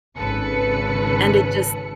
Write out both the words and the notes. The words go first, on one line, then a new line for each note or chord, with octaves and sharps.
and it just
G#1 C#3 A4 B4 C#7